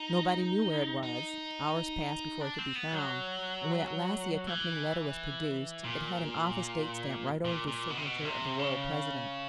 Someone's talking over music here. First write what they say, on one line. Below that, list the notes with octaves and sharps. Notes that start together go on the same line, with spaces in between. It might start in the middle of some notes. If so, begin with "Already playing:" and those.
Nobody knew where it was; hours passed before it could be found; and when at last the accompanying letter was produced, it had an office date stamp right over the signature of the royal president.
Already playing: D#4
D#4
D4
C4
B3
F#3
E3
A#2
A#2
A#2
B2
C3
B2
C3
C#3